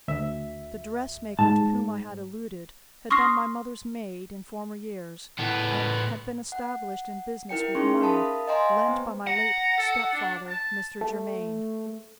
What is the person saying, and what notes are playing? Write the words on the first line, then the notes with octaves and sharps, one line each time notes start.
The dressmaker to whom I had alluded had been my mother's maid in f ormer years, and had been established in business with money lent by my late step-father, Mr. Germaine.
D2 E5
G#2 A5
C6 C#6 D#6 F6 A#6 C7
A2 B3
F#5
E4 A#4 G5 C#7
C#4 D#4 G#4 C6 C#6
A#4 E5 F5 A5 B5 D#6
D#5 F5 G5 G#5 A#5 C6
B3 C5
F#5 A#5
A4
D4
A5
A3